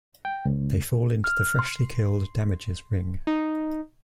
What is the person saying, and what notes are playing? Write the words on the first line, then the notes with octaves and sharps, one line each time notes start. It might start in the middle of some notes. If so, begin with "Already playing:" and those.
They fall into the freshly killed Damage's ring.
G5
C#2
F6
C6
D#4